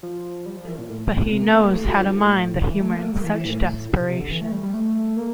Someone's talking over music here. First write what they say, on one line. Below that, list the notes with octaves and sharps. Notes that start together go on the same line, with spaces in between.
But he knows how to mine the humor in such desperation.
F3
G3
F3
E3
A#2
A2
A#2
C3
A#3
A#3
A3
G3
A3
G3
F3
G2
A2
D3
E3
A3
A#3
A3
G3
E3
E3
A2
A#2
C3
C3
D3
E3
A3
G3
G3
A3
A#3